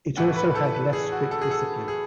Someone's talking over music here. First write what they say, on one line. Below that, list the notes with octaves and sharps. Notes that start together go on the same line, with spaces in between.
It also had less strict discipline.
A2 E3 A3 F#5
B4
A4
B4
G#4
F#4
A4
G#4
A4
G#4